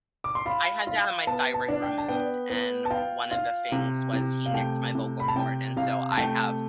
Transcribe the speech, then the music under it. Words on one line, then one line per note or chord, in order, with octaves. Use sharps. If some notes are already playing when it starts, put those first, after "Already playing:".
I had to have my thyroid removed. And one of the things was he nicked my vocal cord, and so I have,
D6
C6
F4 B5
F4
B3 A5
A5
D4
G5
A5
B3 G5
B3
A5
F4 G5
F4
C3
C3
F5
A3 G5
C3
B5
A5
C3 G5
C3 F5
A5
A3 G5